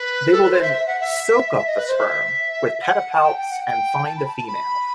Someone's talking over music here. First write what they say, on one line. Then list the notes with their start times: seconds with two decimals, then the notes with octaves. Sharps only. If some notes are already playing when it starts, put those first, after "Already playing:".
They will then "soak" up the sperm with its pedipalps and find a female.
Already playing: B4
0.31 A4
0.42 B4
0.52 C5
0.62 E5
0.72 E5
0.86 F#5
1.00 E5
1.56 E5
1.67 D#5
1.77 B4
1.87 C5
1.98 E5
2.81 F#5
3.12 A5
3.23 G5
3.37 G5
3.50 F#5
3.64 G5
4.05 A5
4.17 B5
4.27 A5
4.37 A5
4.47 B5